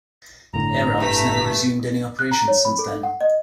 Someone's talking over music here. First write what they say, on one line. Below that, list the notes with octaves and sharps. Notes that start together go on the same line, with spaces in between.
Air Alps never resumed any operations since then.
G1 A2 D3 A#5
G2 A3 B6
F#6
A#5
C#5
B5
A4
F#5
D#5